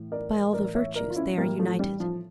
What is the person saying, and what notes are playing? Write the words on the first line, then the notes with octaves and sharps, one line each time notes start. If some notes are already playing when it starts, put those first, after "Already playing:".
By all the virtues they are united.
Already playing: A2 E3
A#4 D5
A2 E3 A#4 D5
C#5 E5
A#4 D5
F4
C#4 E4
A2 E3 G3 A#3
F3 A3
G3
F3